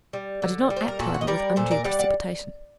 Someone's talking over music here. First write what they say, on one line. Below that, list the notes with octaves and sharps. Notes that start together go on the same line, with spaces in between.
I did not act, however, with undue precipitation.
G3
D3
G3
C5
A#4
A#2 F#4 A4
F#5
D#5
G3 A#4 D5
A#2 A4 C5
A#4 D5
G3 D5 F#5
D5 F#5